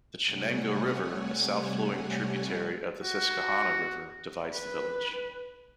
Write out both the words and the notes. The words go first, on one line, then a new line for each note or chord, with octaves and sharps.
The Chenango River, a south-flowing tributary of the Susquehanna River, divides the village.
C3 G3 A3 C#5 F#5 G#5
F#4
B4